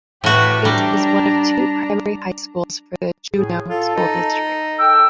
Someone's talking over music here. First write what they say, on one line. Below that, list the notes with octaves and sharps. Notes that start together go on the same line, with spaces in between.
It is one of two primary high schools for the Juneau School District.
A2 F#4 G4 B4
G3 D4 A#5
A2 G#4
F4 A4
D#4
A4 G5 E6